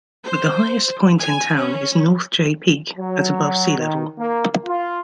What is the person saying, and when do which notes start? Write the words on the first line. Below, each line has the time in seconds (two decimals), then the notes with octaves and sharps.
The highest point in town is North Jay Peak at above sea level.
0.25 C5
1.19 G#5
1.56 C#4
2.98 F#3
3.77 D#3
4.18 A#3
4.65 F4